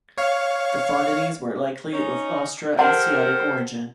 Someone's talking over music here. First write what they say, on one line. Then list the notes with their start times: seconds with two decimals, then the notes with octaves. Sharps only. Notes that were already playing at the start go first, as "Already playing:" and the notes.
The Funanese were likely of Austroasiatic origin.
0.18 C#5 F5
1.92 C#4 D#4
2.79 G4 A4 A#4 C5 F#5 A5 C6